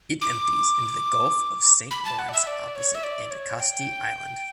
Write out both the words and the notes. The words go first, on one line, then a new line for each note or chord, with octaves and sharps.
It empties into the Gulf of Saint Lawrence opposite Anticosti Island.
D6
B5
A5
F#5
D5
E5
D5
C#5
E5
D5
C#5
G5